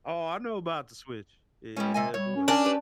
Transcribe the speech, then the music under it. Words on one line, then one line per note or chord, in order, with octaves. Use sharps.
Oh, I know about the switch. Yeah, yeah, yeah, boy.
G3 G#3 B3 C#4
C3 D#5 G#5
G3 C#5
C#4
D4 A#4 G#5
G4 B4